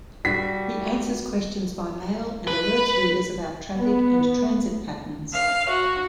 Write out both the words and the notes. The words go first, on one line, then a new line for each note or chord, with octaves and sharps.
He answers questions by mail and alerts readers about traffic and transit patterns.
G3 F#4 B6
B4
B3
F5
F#4